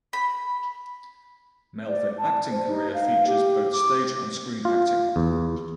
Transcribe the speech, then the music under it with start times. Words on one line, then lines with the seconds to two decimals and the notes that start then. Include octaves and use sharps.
Melvin acting career features both stage and screen acting.
0.13 B5
1.88 D5
2.18 A5
2.51 C5
2.68 D#4
2.94 F5
3.27 G4
3.73 D6
4.65 F4
5.16 E2